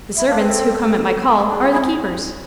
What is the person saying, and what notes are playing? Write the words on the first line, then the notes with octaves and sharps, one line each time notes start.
The servants who come at my call are the keepers.
E4 E5
D4 F5
C4 B4
A4
D4 G#4
F4
C4 E4 G#4